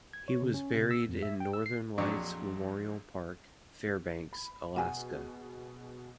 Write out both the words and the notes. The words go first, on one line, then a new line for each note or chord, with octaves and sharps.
He was buried in Northern Lights Memorial Park, Fairbanks, Alaska.
G#6
C#5
C#3
C#4
C3
E6
F2
E5
G5
E6
C7
A#1 F2 F#3 D4 C#6
B5
B2 G#4 F#5 G#5